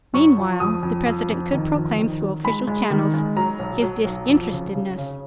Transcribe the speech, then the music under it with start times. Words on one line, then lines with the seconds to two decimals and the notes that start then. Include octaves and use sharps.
Meanwhile the President could proclaim through official channels his disinterestedness.
0.14 F#2 C#6
0.38 F3
0.60 F2 D#6
0.83 F2
1.06 F2
1.29 F2
1.53 D#3
1.76 F2
1.98 D#3
2.21 F#3
2.44 G#3 B5
2.68 G#3
2.90 D#3
3.14 G#3
3.36 F#3 A#5
3.59 B1
3.82 F#3
4.05 B1
4.29 F2
4.51 C#3
4.74 C#3
4.98 C#3